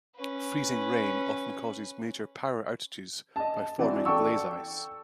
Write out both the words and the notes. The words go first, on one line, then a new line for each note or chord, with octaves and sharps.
Freezing rain often causes major power outages by forming glaze ice.
C#4 B4
D#5 A5
E3 C4 F#4 D5
A4 D5 G5 A5 C#6 E6